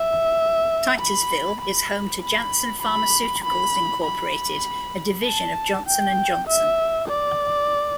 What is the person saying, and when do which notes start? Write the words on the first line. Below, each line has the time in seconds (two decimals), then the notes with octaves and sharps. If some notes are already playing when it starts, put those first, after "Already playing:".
Titusville is home to Janssen Pharmaceuticals Incorporated a division of Johnson and Johnson.
Already playing: E5
1.00 B5
1.61 B5
2.22 B5
2.82 B5
3.44 B5
4.04 B5
5.25 A5
5.86 G5
6.47 E5
7.08 D5